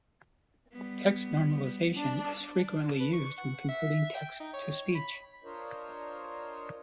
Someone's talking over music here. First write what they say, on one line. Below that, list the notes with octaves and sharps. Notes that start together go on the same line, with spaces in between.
Text normalization is frequently used when converting text to speech.
G3 B3
D4
D4
B4
C#6
F#5
E5
G5
D#4
C#5
B5
D4 F4 A#4 C5 C#5 D#5